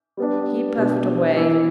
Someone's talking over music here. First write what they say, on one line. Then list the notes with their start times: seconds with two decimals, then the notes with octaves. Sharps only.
He puffed away.
0.17 G3 B3 D4
0.77 B2 B3 D4 G4
1.36 E3 B3 E4